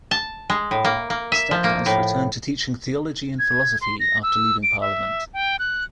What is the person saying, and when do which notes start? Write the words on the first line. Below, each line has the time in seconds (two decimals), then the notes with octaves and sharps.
Stackhouse returned to teaching theology and philosophy after leaving parliament.
0.11 A5
0.50 G#3
0.71 A2
0.85 A#3
1.10 A#3
1.32 E5
1.51 F3
1.64 A#3
1.86 A2
3.39 G#6
3.81 C6
4.00 A#6
4.23 E6
4.63 D7
4.81 E5
5.34 G5
5.59 F#6